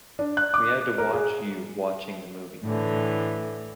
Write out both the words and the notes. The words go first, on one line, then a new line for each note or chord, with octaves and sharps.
We have to watch "you" watching the movie.
D4
F#6
D6
A#4
G#4
A2 D3 E3